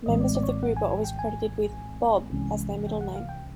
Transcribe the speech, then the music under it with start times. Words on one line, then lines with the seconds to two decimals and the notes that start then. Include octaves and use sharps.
Members of the group are always credited with "Bob" as their middle name.
0.06 A#1 A2 E3 G#3 C4 D#5
0.21 D5
0.35 D5
0.43 C#5
0.49 D5
0.63 F#5
0.76 G#5
0.91 G#5
1.04 G5
1.19 G#5
2.32 C2 C3 E3 G#3 C#4
2.87 G5
3.01 F#5
3.16 F5
3.29 G5